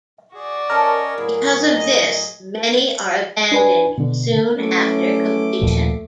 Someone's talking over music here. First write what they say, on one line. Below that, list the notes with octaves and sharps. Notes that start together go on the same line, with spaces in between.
Because of this, many are abandoned soon after completion.
F#4 G#4 D5
C#4 A4 A#4 C#5 D#5 A5
A2 F#3 A#3 E4 G#4
F4 D#5
D4 B4 G#5
B2 D3
E3 F#3 A3 C#4 D6
D#2 A#2 F3